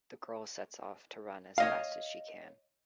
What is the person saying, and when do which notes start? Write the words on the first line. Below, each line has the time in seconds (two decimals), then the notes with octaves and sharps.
The girl sets off to run as fast as she can.
1.58 C#5 D#5 F5